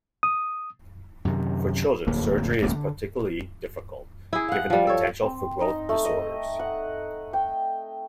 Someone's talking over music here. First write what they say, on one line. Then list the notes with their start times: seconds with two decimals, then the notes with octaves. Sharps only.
For children surgery is particularly difficult, given the potential for growth disorders.
0.23 D#6
1.25 F#2 C3 D#3
2.07 D1 F2 A2 A#3
2.62 D1 C#2 C#3 A#3
2.75 D3
4.33 E4 G#4
4.48 F5 F#5
4.70 F3 G3
4.87 A4 C#5
5.22 C4
5.61 D#4
5.89 A3
6.05 D#5
6.59 F#5
7.33 G5